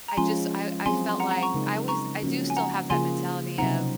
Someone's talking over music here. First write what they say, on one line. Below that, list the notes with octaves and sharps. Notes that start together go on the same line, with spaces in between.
I just I I felt like I was I do still have that mentality of
A#5
F3 G#3 C#4 F4 G#5 C6
F#3 C4 F4 G#4 G#5 C6
C6
F#5 A#5
F#5 A#5
A#5 C#6
C#3 G#3 D#4 A#4
A#5 C#6
F3 A#3 C#4 F#4
G#5
F#5 A#5
C#3 F3 A#3 F4 G#4 G#5 C6
C3 F#3 C4 D#4 F#5 A#5